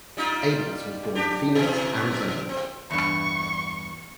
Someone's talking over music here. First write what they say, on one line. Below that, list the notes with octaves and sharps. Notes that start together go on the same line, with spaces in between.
Abels was born in Phoenix, Arizona.
G3 D#4 F4
D4 G4
B2 E3
C4
E2 G2 C#6